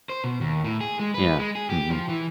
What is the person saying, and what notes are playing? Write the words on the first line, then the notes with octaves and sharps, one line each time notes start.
Yeah, mhm.
C5
B2
D#2
A2
G#4
G#3
B4
G#3
G#4
G4
F3
E3